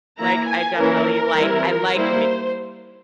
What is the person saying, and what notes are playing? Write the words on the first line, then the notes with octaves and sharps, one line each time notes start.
Like I definitely like, I like convenience.
E3 A#3 E4 A#5
G#5
E3 A#3 C#4 E4 A#4
E3 G3 C4 E4
G3 A#3 E4 C5